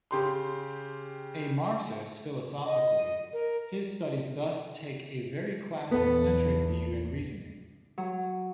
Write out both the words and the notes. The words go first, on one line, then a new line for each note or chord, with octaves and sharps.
A Marxist philosophically, his studies thus take a very class-centric view and reasoning.
C#3 G4 C6
D#5
A#4
A#1 E2 B3 A4 B4
F#3